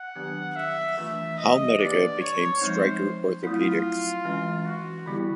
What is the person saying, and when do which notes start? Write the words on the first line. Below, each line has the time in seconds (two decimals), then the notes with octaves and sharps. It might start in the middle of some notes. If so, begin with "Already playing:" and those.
Howmedica became Stryker Orthopaedics.
Already playing: F#5
0.15 D#3 F#3 B3 D4 G4
0.56 E5
0.97 E3 A3 D4 F4 E5
1.38 D#5
1.78 A#3 D4 G4 B4 D5
2.20 C#5
2.61 F3 G#3 C4 D#4 C5
3.43 F#3 A3 C4 E4 F4
4.25 E3 G#3 C#4
4.65 F#4
5.06 D3 G3 B3 E4 G4